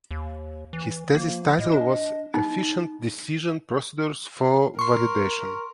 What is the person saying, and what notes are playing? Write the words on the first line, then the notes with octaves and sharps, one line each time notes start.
His thesis title was ‘Efficient decision procedures for validation’.
D#2
E3
F3 A#3
A2 D#5
D4
D#4
A#4 C6 C#6